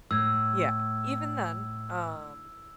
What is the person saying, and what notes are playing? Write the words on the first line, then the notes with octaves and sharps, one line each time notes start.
yeah, even then, um
A2 E6 G#6